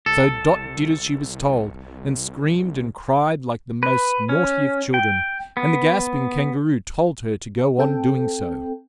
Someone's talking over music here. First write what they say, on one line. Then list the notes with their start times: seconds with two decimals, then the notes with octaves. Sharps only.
So Dot did as she was told, and screamed and cried like the most naughty of children; and the gasping Kangaroo told her to go on doing so.
0.06 C2 A4
3.83 B4
4.29 C#4
4.94 G5
5.57 B3
7.78 C4 A4 G5